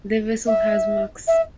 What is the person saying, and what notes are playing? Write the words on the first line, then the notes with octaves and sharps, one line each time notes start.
The vessel has max.
E5
E5